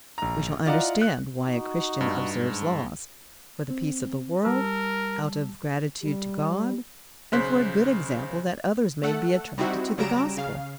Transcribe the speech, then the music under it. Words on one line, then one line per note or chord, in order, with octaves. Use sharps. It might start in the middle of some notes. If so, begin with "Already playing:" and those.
We shall understand why a Christian observes laws: For the peace of the world, out of gratitude to God, and for a good example that others may be attracted to the Gospel.
A#1 A#5
E4 F4 D5 D#5 F#5 A#5
F#6
D#4 F#4
G2
G#2
C4
G3 A#4 A5 E6
G3
B1 C#3 C5 C6 F#6 B6
A3 A4 F#5
G3 C4 D#4 E4 F#4
C#3 F#3 G3 A#5 D7 E7
C#3 F5